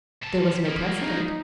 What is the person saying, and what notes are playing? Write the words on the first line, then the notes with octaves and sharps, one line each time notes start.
There was no precedent.
C3 A5
C#3 A#3
D#4